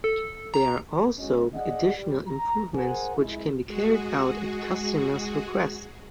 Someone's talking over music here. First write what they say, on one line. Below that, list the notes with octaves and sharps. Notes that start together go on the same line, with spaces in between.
There are also additional improvements which can be carried out at customer's request.
A4
A#5
E2 G#3 C#4 F#4 D#5
G#4 D5 D#5 F#5
G3
A#5
G#4 A#4 C5 F#5 G#5
F2 G#3 E4
G#3 F#4 G#4